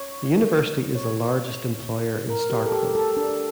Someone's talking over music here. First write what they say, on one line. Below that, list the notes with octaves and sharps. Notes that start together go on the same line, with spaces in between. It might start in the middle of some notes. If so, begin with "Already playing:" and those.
The university is the largest employer in Starkville.
Already playing: C#5
C#5
A#4
G4
A4
G4
A4
D4